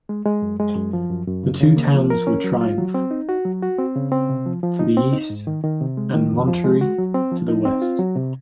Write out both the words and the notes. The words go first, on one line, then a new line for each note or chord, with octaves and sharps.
The two towns were Triumph, to the east, and Monterey to the west.
G#3
G#3
F#2
G#3
F#2
F3
F#2
F#2
C#3
C#3
A#3
F3
A#4
C#4
F#3
F4
F#3
C4
D#4
F#4
F#3
F#4
C4
C#3
C4
C3
F3
F3
D#4
C4
D#4
G#2
D#3
D#3
C3
G#3
D#3
F2
F3
G#3
F#4
F#3
C4
F3
D#4
C4
F4
F#3
C3